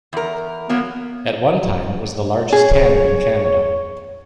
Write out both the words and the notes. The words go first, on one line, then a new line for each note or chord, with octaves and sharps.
At one time, it was the largest tanner in Canada.
E2 A#4
F#3 A#3 B3
G#4 C#5